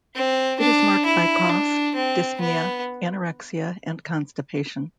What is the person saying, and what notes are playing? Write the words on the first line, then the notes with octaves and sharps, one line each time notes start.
It is marked by cough, dyspnea, anorexia and constipation.
C4
D4
E4
D4
C4
B3